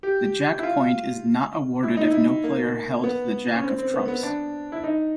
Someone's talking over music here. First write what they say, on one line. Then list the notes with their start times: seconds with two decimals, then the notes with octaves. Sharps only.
The Jack point is not awarded if no player held the Jack of trumps.
0.03 G4
0.59 E4
0.63 F4
1.83 E4
1.97 D#4
2.11 E4
2.44 A#3
3.04 B3
3.55 C#4
3.64 C4
3.78 C4
3.94 B3
4.08 B3
4.23 D4
4.72 E4
4.84 D#4